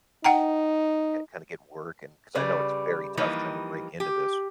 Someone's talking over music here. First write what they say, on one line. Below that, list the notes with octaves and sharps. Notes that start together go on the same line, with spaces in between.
uh, kinda get work and 'cause I know it's very tough trying to break into this.
D#4 F#5 G5 A#5
C#3 G3 B4
E3 F3 G3 A#3 D#4
G4